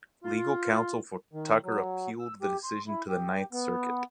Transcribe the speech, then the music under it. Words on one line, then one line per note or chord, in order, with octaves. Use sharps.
Legal counsel for Tucker appealed the decision to the Ninth Circuit.
F4
D#3
F#3
E6
G4
C6
E4
G4
B3